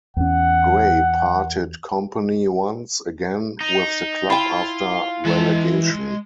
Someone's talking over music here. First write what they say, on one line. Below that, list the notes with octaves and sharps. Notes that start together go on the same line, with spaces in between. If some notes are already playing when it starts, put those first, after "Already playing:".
Gray parted company once again with the club after relegation.
E2 C#4 F#5
D#4
E4 F4 G5
E3 G#3 A5